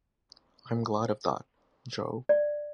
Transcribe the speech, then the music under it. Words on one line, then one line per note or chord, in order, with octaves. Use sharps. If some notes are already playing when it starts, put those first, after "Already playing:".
I'm glad of that, Jo.
D5